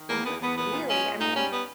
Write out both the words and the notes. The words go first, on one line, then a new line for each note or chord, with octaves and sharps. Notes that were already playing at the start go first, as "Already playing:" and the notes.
Not really, I mean
Already playing: D#3
E2 A#3
E2 B3
E2 B3
A#2 B3
A#2
G#3 C#4
A#2
G#2 D#4
G3 C#4
B3